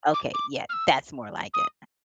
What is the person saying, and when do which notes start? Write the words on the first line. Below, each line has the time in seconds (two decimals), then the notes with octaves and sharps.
Okay, yeah, that's more like it.
0.13 D6
0.33 D6
0.69 F6
0.73 E6
1.53 D#6